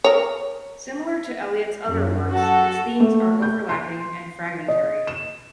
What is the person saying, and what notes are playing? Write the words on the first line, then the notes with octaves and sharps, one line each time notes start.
Similar to Eliot's other works, its themes are overlapping and fragmentary.
A#4 C#5
F#2
F#4 A4
A3
G6
C6
D#5
E7